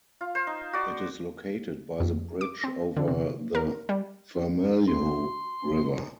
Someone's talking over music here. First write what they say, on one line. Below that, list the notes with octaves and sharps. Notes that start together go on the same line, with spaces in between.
It is located by the bridge over the Vermelho River.
F4
C5
D#4
F#4 D5
F2
D6
C4
D3
C3
A#4
G3
C6